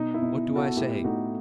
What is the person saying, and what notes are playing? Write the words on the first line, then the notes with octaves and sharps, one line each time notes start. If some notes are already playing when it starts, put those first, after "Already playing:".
What do I say?
Already playing: B2 D#4
E4
B2
E4
B2
F#4 A4
A2 E4 G4
A2 D#4 F#4